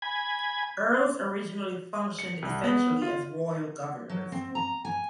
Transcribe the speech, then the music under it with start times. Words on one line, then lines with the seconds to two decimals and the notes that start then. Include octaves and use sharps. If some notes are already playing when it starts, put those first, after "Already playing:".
Earls originally functioned essentially as royal governors.
0.02 G#5 B5 G#6
2.19 C#7
2.42 C2
2.64 B3
3.02 F4
4.09 F#3
4.32 C4
4.55 A#5
4.85 G#5